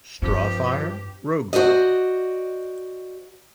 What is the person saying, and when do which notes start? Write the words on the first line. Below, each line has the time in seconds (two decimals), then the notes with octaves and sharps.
Straw fire, rogue fire.
0.22 G2 F3 C4 G4
1.53 F#4 C5 D5 D#5